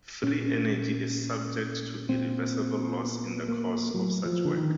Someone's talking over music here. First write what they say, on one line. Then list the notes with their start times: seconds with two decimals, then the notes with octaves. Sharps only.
Free energy is subject to irreversible loss in the course of such work.
0.23 A#2 C#4
2.09 A#2 C4
3.02 B3
3.48 A#3
3.94 A2 F#3
4.26 F3
4.45 D3
4.57 D#3